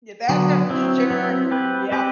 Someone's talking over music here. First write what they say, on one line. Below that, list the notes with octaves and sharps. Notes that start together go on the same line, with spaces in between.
Yeah, that's a teacher. Yep.
D3 F#3 B3
F#3 C4 E4
F#3 C4 E4
C4 G4 B4
C4 G4 B4